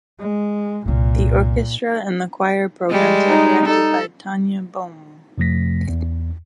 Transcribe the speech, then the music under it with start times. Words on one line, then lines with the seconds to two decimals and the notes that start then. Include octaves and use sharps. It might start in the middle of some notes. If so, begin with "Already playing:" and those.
The orchestra and the choir programs are directed by Tanya Boehme.
0.19 G#3
0.85 C2 F2 A#2
2.90 G3 G#3
3.26 D#4
3.67 D#4 A4
5.38 F2 C3 F3 A3 A#6 B6
5.89 E2